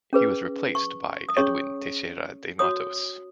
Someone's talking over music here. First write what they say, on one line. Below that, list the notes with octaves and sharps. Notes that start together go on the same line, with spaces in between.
He was replaced by Edwin Teixeira de Mattos.
C#4 G#4 B4
C#6
D#6
C#4 G#4 C#5 C#6
F#4 C#5 D#6